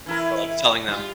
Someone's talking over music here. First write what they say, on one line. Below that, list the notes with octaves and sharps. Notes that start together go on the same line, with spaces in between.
or, like, selling them?
E3 E4 A#4
G3 F4